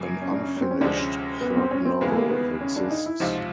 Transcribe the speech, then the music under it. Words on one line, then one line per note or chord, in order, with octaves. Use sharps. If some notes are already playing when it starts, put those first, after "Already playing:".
An unfinished third novel exists.
Already playing: F#2 C#3 F#3 A#3
C#4
D4
C#4
C#4
C4
C#4
D2 C3 F3 G#3 D4
C#4
B3
C4
C#4
C4
D#2 C#3 E3 G#3 B3
A3
A#3
B3
C#4
D4
D#4
E4
C#2 C3 F3 D#4
F4